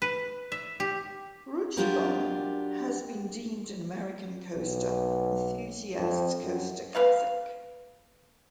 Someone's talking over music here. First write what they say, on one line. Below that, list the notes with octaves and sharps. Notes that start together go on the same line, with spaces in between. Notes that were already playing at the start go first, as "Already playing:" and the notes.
"Rutschebanen" has been deemed an American Coaster Enthusiasts Coaster Classic.
B4
E5
G4
F#3 G3 D4 F4 G4 A#4
B1
F2
F#2
A#3 B4 F5